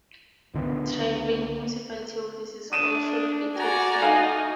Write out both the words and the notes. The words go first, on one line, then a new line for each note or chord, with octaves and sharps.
Triveni Municipality office is also located here.
C#2 D3 D#3 B3
D4 D#6 D#7 E7
F#4 D5 G#5 A#5
D#4 F5 G#5